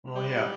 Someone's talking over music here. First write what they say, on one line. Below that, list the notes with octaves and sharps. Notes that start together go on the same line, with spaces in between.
Well, yeah.
G3